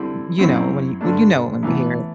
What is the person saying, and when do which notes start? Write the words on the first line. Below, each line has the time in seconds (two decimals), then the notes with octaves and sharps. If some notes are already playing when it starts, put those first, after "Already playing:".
You know, when you well, you know it when you hear it.
Already playing: D3 G3 C4 E4
0.38 F#2 F#3 C4 E4
1.01 G2 D3 A3 D4
1.63 A2 E3 B3